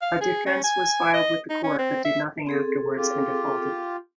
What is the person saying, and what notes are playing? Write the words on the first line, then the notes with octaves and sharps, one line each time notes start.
A defence was filed with the Court but did nothing afterwards and defaulted.
F5
G#4
C#4
G#5
D#5
D#4
C#4
C4
E5
C4 G#4 A4
F4 G4